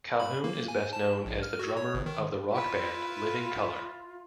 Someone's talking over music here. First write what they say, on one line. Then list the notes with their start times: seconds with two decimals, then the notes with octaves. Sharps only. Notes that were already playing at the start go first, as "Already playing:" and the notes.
Calhoun is best known as the drummer of the rock band Living Colour.
0.20 B5
0.44 A#3
0.68 G#5
0.93 A5
1.25 A#1
1.43 F6
1.59 F#4
1.77 C#5
1.94 G1
2.06 D#3
2.52 E4 F4 B4